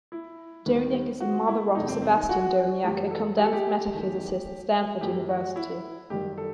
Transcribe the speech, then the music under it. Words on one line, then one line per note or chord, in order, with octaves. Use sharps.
Doniach is the mother of Sebastian Doniach, a condensed matter physicist at Stanford University.
E4
D#2 D#3 G3
F#4
E4
F#1 E2 C3 E3 A3 D#4
C4
C4
D#4
F#4
F#2 E3 G3 G4
A4
G4
A4
G4
E2 D#3 A3
F#2 E3 A3 G4
F#4
E4
G1 F#2 D#3 G3 G4
A4